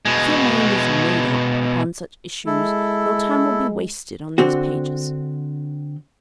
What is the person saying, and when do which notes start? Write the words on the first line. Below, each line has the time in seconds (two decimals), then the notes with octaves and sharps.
If your mind is "made up" upon such issues your time will be wasted on these pages.
0.05 B2 G#3
2.46 G#3 E4 A4
4.38 D3 C4 F#4